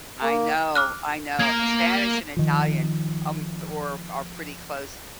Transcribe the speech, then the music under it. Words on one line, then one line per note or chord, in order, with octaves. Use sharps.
I know, I know, Spanish and Italian, um, v were are pretty close,
A#3
D6 F6 F#6
A#3 A#4 G#6
D#3 F3